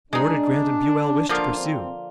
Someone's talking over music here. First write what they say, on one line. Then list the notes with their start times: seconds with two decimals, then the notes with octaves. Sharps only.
Nor did Grant and Buell wish to pursue.
0.13 G#3 D4 D#4 G#4
1.29 D3 F3 A#3 D4 F4
1.59 C4